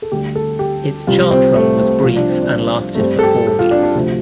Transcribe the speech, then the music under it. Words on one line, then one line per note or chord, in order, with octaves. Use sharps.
Its chart run was brief and lasted for four weeks.
A4
D2 D3 G3 G4
A4
G4
C2 C3 G3 F4
C4
A3
C4
C2 C3 F3 F4
D4
C4
D4
A3
G2 G3 C4
A4
G4
A4
F4
D4
D4
D2 C3 F3